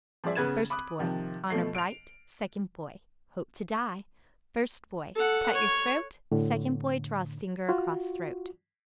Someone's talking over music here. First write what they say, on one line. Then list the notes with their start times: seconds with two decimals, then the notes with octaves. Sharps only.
First boy: "Honor bright?" Second boy: "Hope to die." First boy: "Cut your throat?" Second boy draws finger across throat.
0.24 F3 C4 G#4 D5 E5
0.35 C#3 B3 B4 G#6 A6 E7
0.70 B5 D6 D#6 F#6
0.99 C3 D#3 F3
1.50 B2 F3 A3 C7
1.75 D7 F7
5.16 A4 F#5
5.54 C#5
6.32 A2 D3
7.69 F4 F#4